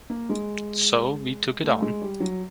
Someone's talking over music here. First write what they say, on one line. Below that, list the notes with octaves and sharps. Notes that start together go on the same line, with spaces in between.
So we took it on.
A#3
G#3
A3
G#3
G3
F#3